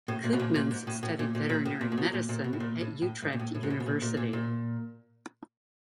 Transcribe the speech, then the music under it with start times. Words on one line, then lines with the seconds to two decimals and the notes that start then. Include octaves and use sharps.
Koopmans studied veterinary medicine at Utrecht University.
0.08 A2
0.24 A#2
0.33 B2
0.40 A#2
0.55 A#2
0.71 G#2
0.87 A2
1.03 A2
1.19 A#2
1.35 A#2
1.49 A#2
1.65 A2
1.81 A#2
1.92 A#2
1.98 B2
2.13 A#2
2.29 A#2
2.44 B2
2.53 A2
2.60 A#2
2.81 A2
3.02 A2
3.23 G#2
3.33 A#2
3.39 A2
3.55 A2
3.63 G#2
3.70 A2
3.80 B2
3.86 A#2
4.02 A#2
4.17 A#2
4.33 A#2